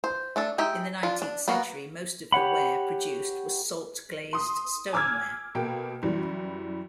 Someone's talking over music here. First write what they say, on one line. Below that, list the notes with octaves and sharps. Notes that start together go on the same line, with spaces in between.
In the nineteenth century most of the ware produced was salt-glazed stoneware.
C5
A3 D4 A4
G#3 D#4 G4 E5
D4 F4
D4
A#3 B3 F#4 A#4
G4 C#5 F#5 B5
C6 D#6
G#5 D6 E6 F6 G#6
B2 A#3 G5
F#2 E3 G3